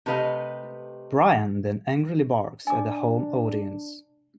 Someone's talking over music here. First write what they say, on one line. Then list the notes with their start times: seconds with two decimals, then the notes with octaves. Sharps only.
Brian then angrily barks at the home audience.
0.06 C3 A3 G4 B4 D#5 F5
2.67 D4 G#5 D6